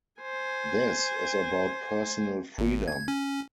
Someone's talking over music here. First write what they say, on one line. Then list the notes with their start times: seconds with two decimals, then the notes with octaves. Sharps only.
This is about personal freedom.
0.21 C5 G#5
2.58 G#1
2.88 G#6
3.08 C#4